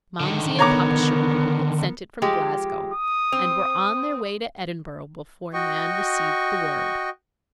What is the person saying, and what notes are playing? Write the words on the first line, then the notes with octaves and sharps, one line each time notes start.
Momsey and Papa Sherwood had sent it from Glasgow, and were on their way to Edinburgh before Nan received the word.
D3 D#3
B3 A#4 C#5 A#5 D6
F3 G#3 G4
D#6
C4
F#4 D#5 G5 C#6